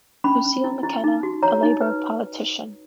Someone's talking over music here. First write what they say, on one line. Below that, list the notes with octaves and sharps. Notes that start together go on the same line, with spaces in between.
Lucille McKenna, a Labor politician.
C#4 B5
C#4
E4
E4
D#4
F#4
C#5 A#5
D#4
B4